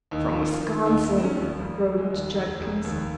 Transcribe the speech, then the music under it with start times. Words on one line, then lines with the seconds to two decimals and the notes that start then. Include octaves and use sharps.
"From Wisconsin!" groaned Judkins.
0.11 D#2 D#4
0.36 D#3
0.49 F4
0.61 D#3
0.86 D#2 D#4
1.05 D#4
1.11 D#3
1.17 C4
1.23 C#4
1.35 D#2
1.42 F3
1.60 F1 G3
1.85 F1
1.98 G#3
2.10 D#2
2.35 F1
2.60 F1
2.84 D#2